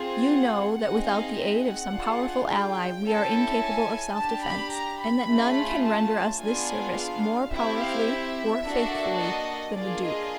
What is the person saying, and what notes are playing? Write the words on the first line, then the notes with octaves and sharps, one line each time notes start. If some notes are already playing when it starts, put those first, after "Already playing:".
You know, that without the aid of some powerful ally we are incapable of self-defense, and that none can render us this service more powerfully or faithfully than the duke.
Already playing: C4 F4 G#4
F#5
C4 D#4 G#4 F#5
F5
E5
F#5
D4 F4 G#4
G5
C#4 E4 A4
G#5
D4 G4 A5
B5
A#5
B5
A3 C#4 F4 G#4
A5
B3 D4 F4 G#4 G#5
F5
C4 E4 G4 E5
F5
E5
A#3 D4 F#4 A4
D#5
A#3 D4 F4 G#4 D5
D#5